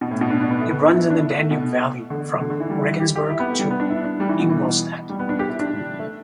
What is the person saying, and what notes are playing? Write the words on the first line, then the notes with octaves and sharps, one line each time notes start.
It runs in the Danube valley from Regensburg to Ingolstadt.
B2
A2
B2
D4
D4
B3
A3
B3
D4
E4
E4
D4
E4
A3
B2
D3
D3
D3
E3
G3
E4
G4
G4
E4
B3
A3
G3
B3
D4
E4
D4
G3
E3
B2
E3
G3
B3
D4
G4
E4
D4
A3